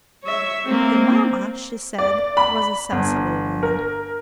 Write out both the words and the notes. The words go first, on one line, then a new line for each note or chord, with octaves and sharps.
The mamma, she said, was a sensible woman.
C#5 E5
A#3 C4
D5
B5
G1
A#4